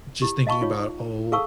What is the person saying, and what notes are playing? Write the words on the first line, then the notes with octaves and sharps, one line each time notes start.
just thinking about, oh,
E4 G4
D#5 F5 A5 B5 C#6
D#4 F4 C#5
G#4 A4 F5 A5 C#6 E6